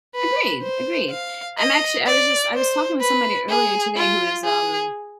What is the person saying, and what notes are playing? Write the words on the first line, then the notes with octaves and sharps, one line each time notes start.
Agreed, agreed. I'm actually, I was just I was talking with somebody earlier today who is, um,
B4
C5
F5
D#5
D5
C5
B4
G#4
F4
G#4